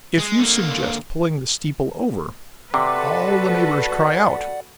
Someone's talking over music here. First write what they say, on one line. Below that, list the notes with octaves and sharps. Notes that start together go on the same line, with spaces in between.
If you suggest pulling the steeple over, all the neighbors cry out.
G#3
D3 A#3
C3 F#4 A4 B4 D5 F#5 C6 D6